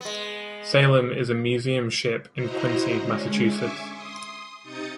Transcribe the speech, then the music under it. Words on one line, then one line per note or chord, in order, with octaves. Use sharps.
"Salem" is a museum ship in Quincy, Massachusetts.
G#3 B3
E4 F#4 C5 D#5 A#5
D3 G#3 C#4
E5 G#5 C#6 D6
C6 D#6
C3 D#4 D#6 G6 A6 C#7